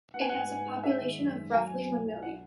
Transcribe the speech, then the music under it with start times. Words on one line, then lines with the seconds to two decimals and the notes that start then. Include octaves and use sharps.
It has a population of roughly one million.
0.14 B3 F#5
0.21 G#5
0.29 G#2 F#5
0.49 G#2
0.66 G#2
0.84 G#3 E5
1.01 D#3
1.19 F#2
1.36 G#3
1.53 F#3 G#5
1.71 B1
1.89 B1
2.05 B1
2.23 F#5